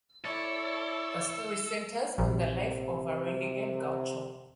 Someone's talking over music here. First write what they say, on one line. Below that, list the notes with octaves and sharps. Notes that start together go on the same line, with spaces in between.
The story centers on the life of a renegade gaucho.
E4 A4 C#5 D5
A#1 C3